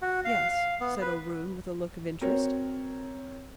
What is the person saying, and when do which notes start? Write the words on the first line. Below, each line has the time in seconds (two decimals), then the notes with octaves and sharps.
"Yes," said O'Roon, with a look of interest.
0.02 F#4
0.25 F5
0.49 F5
0.81 B3
1.01 B4
2.21 C4 F#4 A#4 C#5